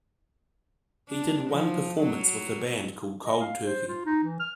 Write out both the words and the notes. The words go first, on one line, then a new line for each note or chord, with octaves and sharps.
He did one performance with a band called Cold Turkey.
D4
F3
F#3
D#5
F5
C5
F4
D#4
E3
F6